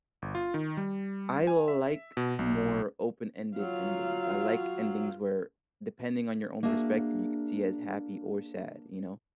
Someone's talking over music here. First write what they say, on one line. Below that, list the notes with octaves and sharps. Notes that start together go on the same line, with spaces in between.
I like more open-ended endings, I like endings where, depending on your own perspective, you could see as happy or sad, you know?
G1
F4
D#3
G3
G#5
E5
B2
B1
F#3 F4 F5
A#3 D4 F#4 G#4 E5